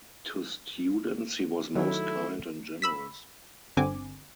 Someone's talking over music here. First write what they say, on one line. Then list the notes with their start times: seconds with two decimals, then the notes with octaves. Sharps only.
To students he was most kind and generous.
1.75 D#3 F#3 G3 A3 D4 E4
2.82 B5 E6 B6
3.77 G1 D3 C4 G#5 D6